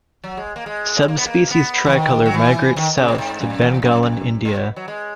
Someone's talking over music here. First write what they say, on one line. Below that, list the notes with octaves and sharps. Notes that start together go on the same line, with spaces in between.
Subspecies "tricolor" migrates south to Bengal in India.
F#3
G#3
A#3
G#3
A#3
B3
A#3
B3
E3
D#3
F#3
E3
D#3
C#3
A#2
G#2
F#2
E2
F#2
F#2
A#2
B2
F#3
G#3